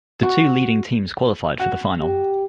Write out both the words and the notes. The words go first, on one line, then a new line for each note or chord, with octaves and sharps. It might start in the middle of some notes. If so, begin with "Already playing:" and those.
The two leading teams qualified for the final.
F#4
F#4
G4